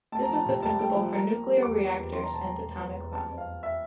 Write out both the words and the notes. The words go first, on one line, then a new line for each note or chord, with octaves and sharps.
This is the principle for nuclear reactors and atomic bombs.
A3 A5
A#5
F3 A5
C3
C2 A5
A3 G5
F3
A#3 A#5
A#3
G3
E2 D6
A#3
E2
E3 C6
A#5
E1 A5
A#3 A#5
E1
E2
E2
F2 A5
F2
F5
F2
E5